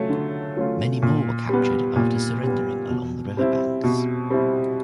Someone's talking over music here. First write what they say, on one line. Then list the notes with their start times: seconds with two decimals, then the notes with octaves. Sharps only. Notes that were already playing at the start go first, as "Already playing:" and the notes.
Many more were captured after surrendering along the river banks.
Already playing: F#3 A3 C#4 F4
0.09 D3
0.56 F#3 A3 C#4 F4
1.02 A#2
1.49 G3 B3
1.96 A#2
2.43 G3 B3
2.90 B2
3.37 G3 C4 E4
3.84 B2
4.30 G3 C4 E4